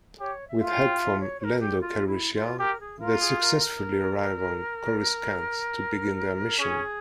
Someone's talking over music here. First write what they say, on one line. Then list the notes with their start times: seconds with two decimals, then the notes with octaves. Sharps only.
With help from Lando Calrissian, they successfully arrive on Coruscant to begin their mission.
0.20 G4 C#5
0.48 E5
0.60 F4
0.74 G#5
0.78 G5
1.00 E5
1.20 C#5
1.40 C#5
1.44 A#4
1.60 G4
1.81 F4
2.07 E4
2.34 F4
2.59 G4 A#4
2.80 G#4
2.99 F4 A#4
3.19 G#4
3.40 A#4
6.59 C#4 G#4